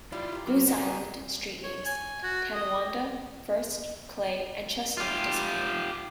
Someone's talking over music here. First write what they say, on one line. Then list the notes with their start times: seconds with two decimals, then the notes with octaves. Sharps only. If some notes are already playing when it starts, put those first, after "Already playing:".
Goose Island street names Tonawanda, First, Clay and Chestnut disappeared.
0.12 G3 E4 F4
0.32 A#2 G4
0.47 F3 F#3
0.68 E3 G#3 A#3 F#4 G#4
1.63 C#5
1.86 G#5
2.23 F#4
2.54 D#5
4.97 F4 G4